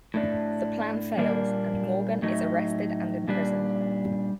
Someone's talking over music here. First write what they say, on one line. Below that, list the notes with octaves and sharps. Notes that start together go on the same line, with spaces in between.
The plan fails, and Morgan is arrested and imprisoned.
A2 A3 D4
A#2 G3 A#3 D4
A2 F#3 A3 D#4
A#2 G3 D4